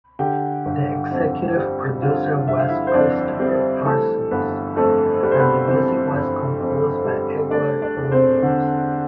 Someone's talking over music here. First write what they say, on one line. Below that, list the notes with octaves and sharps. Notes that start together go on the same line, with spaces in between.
The executive producer was Christopher Parsons and the music was composed by Edward Williams.
D3 G4 G5
G1
F2
G3
D3 F4 F5
G1 E5
F5
E4 E5
C5
F2 D4 D5
G3 C4 C5
E3 A3 A4
G1 B3 B4
F2 A3 A4
G3 B4
C5
B3 B4
E3 C4 C5
G1
F2
G3
A3 D4 D5
D4 D5
E2
C4 C5
D3